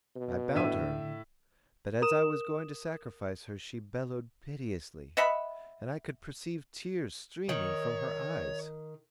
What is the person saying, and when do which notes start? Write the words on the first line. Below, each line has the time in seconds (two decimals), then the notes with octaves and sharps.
I bound her, but as I was going to sacrifice her, she bellowed piteously, and I could perceive tears streaming from her eyes.
0.16 B2
0.55 A2 D3 E5 D#7
2.02 A#4 D#6 E7
5.17 D#5 E5 F#5 B5
7.49 D#3 C#5